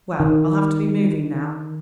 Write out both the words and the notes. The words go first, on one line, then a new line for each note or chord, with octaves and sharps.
Well, I'll have to be moving now.
D#3